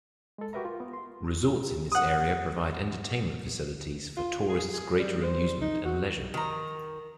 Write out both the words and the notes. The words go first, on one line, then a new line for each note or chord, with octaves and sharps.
Resorts in this area provide entertainment facilities for tourists' greater amusement and leisure.
G#3 A4
F#4 G4 A#4 B4 E5 A#5
F4
B3
C6
F#5 D#6
F4
G#4
G#4
G3
C5
D#4
F#4
D#3 A#5